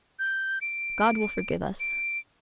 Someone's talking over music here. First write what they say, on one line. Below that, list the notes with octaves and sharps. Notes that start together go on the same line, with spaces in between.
God will forgive us.
G6
D7
D7